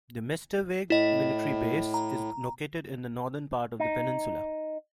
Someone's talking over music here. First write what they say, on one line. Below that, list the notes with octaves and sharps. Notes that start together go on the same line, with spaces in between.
The Mestersvig military base is located in the northern part of the peninsula.
A2 E4 D#5
A#5
D#4